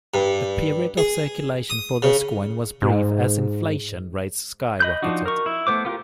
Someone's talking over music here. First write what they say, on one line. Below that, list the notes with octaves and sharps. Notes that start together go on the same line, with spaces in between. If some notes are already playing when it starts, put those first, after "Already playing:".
The period of circulation for this coin was brief as inflation rates skyrocketed.
G2
G#4
D#6
C#3
G#2
D#5 B5 G6
F3 D4 D#4 F#4
A#4 C#6
E4
A3 B3 C5 D6
B3 F4 G4 A#4